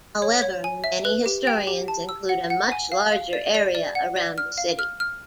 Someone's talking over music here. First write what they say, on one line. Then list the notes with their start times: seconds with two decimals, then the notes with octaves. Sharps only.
However, many historians include a much larger area around the city.
0.22 C#5
0.42 C#5
0.64 G#5
0.84 E5
1.05 B4
1.26 G4
1.47 G5
1.67 G4
1.88 A5
2.09 E6
2.29 F#5
2.50 F#5
2.72 G#5
2.92 F5
3.12 F5
3.33 D5
3.55 D5
3.75 D5
3.95 F#5
4.16 D5
4.38 F6
4.58 F5
4.79 F6
5.00 F6